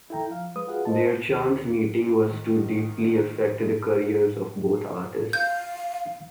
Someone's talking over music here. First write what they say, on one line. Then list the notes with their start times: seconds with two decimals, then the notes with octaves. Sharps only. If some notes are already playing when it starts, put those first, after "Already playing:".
Their chance meeting was to deeply affect the careers of both artists.
0.10 E4 A4 G5 A#5
0.31 F3 F5
0.56 G#3 B4 D#6
0.67 F4 F#4 G#4 B4 F5 F#5
0.85 C5 D#5 A5
1.28 D#2
2.26 G#2 D#3
5.33 F5 G6